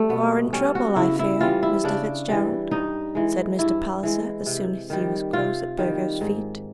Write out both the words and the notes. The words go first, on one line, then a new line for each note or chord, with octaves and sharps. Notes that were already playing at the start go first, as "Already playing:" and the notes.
"You are in trouble, I fear, Mr. Fitzgerald," said Mr. Palliser, as soon as he was close at Burgo's feet.
Already playing: G3 A3
B2 B3
G3 C#4
F#4
C#3 E4
E4
E3 G3 F4
E4
C#3 D4
E3 G3
G2 D#4
E3 G#3
G2 E4
E3 G#3
C3
D#3 G3
C3 F4
D#3 G3
G#2